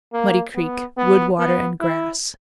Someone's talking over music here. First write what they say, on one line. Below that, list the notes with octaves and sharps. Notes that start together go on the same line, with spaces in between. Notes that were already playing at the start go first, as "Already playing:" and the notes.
Muddy Creek.--Wood, water, and grass.
A#3
B3
B3
B3
E4